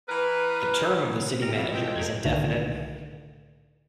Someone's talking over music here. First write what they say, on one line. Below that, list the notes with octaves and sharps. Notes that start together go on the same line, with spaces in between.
The term of the city manager is indefinite.
E3 A#4 B4
G4 A#5 F6
G2 E3 C4 F4
G#3 A3 D#5 G5
F2 A#4 G#6
C2 A2 D3 D#3 A3